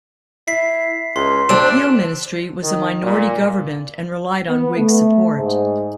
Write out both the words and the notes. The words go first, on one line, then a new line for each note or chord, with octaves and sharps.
The Peel ministry was a minority government, and relied on Whig support.
E4 B6 C7
C#2 C6
D2 C4 D4 E7
D#3
A#2
B3
A3
G#2